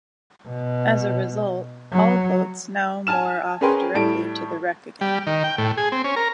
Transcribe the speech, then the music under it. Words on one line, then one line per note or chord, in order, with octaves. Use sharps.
As a result, all boats now moor off directly to the wreck again.
B2
F#3
G#5 A5 F6 E7
C#4 G#4 A#4 B4 G5 C6
A2 G3 A5 D7
G3
D#3
G5
A2
G#4
C4
C#4
A#4